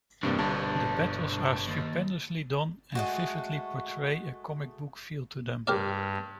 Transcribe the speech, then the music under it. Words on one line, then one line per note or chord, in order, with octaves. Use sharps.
The battles are stupendously done and vividly portray a comic book feel to them.
E2 G2 C3 G3 A#3
G1 G2 B2 D4 A5
D#2
G#3 A3 F#4
G2 G4 A#4 D5